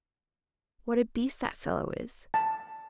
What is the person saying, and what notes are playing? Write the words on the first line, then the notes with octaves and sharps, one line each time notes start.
'What a beast that fellow is.
A5